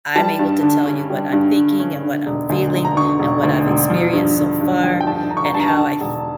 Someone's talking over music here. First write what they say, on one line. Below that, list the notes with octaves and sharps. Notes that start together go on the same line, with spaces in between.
I'm able to tell you what I'm thinking and what I'm feeling and what I've experienced so far and how I f
G3 A5
G2
D3
C#4
G3
G2
D3
C#4
D3
E1
D2
E1
A#5
D3 C#6
E1
D2
E1
F3
G2
D3
G2
F3 G5
G5
G2 A5
D3 A#5
C#6
A#5
G2 A5
A#5
A5
D3
E1